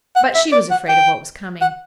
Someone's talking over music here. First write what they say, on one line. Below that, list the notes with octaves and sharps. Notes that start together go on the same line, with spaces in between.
But she was afraid of what was coming.
F#5
E5
D5
F#5
G5
F#5